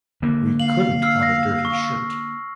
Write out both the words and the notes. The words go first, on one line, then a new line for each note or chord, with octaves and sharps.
We couldn't have a dirty shirt.
D3 A#3
F5 F#7
E6 F6 C7
A#6
C#6